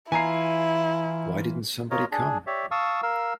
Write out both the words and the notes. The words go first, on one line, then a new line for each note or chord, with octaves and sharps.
Why didn’t somebody come?
E3 E4 F4 G#5 A#5 C7
F4 A#4 C#5 D#5
D4 G#4
G4 C#5 D5 E5
F5 A5 C#6 D#6 E6
A#4 F5 E6